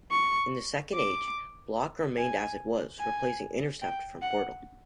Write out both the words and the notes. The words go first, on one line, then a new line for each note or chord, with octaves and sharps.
In "Second Age", "block" remained as it was, replacing "intercept" from Portal.
C#6
D6
G#5
G#5
G5
F#5